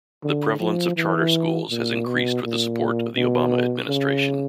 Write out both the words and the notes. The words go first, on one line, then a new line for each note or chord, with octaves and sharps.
The prevalence of charter schools has increased with the support of the Obama Administration.
D3
F3
E3
A#2
B2
A#2
B2
C#3